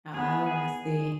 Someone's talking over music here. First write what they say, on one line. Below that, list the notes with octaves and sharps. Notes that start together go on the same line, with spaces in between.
Oh, I see.
B3 G#4
G#4